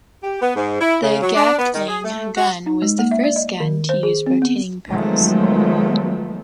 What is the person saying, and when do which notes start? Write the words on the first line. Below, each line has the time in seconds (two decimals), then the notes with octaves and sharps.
The Gatling gun was the first gun to use rotating barrels.
0.23 G4
0.42 B3
0.56 G#2
0.80 E4
1.02 C#3
1.22 F#3
1.35 D4
1.58 B3
1.73 D#3
1.88 G#4
2.04 A3
2.36 F#4
2.66 D#4
2.82 G#3
2.99 A#3
3.11 E5
3.23 D5
3.36 D#5
3.60 D#3
3.89 C5
4.03 G#4
4.26 C4
4.42 B3
4.88 D#3 F3 F#3 G#3 A3 B3